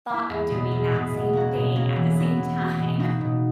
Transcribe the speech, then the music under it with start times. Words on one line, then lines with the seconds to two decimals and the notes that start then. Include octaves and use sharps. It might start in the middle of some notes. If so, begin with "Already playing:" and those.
thought of doing that same thing at the same time.
0.10 A#3 E4
0.30 E2
0.50 B2 G#3 B3
0.72 E2
0.92 B2 G#3 B3
1.13 B2
1.33 A#3 C#4 F#4
1.54 B2
1.75 A#3 C#4 F#4
1.96 E3
2.17 B3 F#4
2.37 E3
2.58 B3 F#4
2.79 B2
2.99 A#3 D#4 F#4
3.21 B2